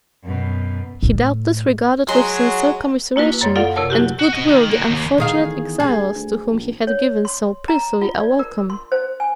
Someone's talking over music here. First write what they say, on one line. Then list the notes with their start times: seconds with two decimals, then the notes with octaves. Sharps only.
He doubtless regarded with sincere commiseration and good will the unfortunate exiles to whom he had given so princely a welcome.
0.23 F#2 B2
1.03 A2
2.08 F#3 G#3 C6
3.16 A#3 E4 F#4 B4
3.41 F#2 C#5 C6
3.56 F4 A4 D5 F5 F#5
3.76 C3 A#4 C#5 A5
3.90 F#3 E4 F#4 G4
4.19 F#4
4.33 F#4 D#5
4.48 D#3
4.70 A#3 F#4
4.90 D#2
5.18 D#3 G#4 F5
5.39 E2
5.80 G2 G#4
6.15 D2
6.51 A#1
6.87 C#5
7.25 C6
7.68 A#5
8.01 F4
8.20 D5
8.39 A#4
8.70 C6
8.92 C5
9.20 G#5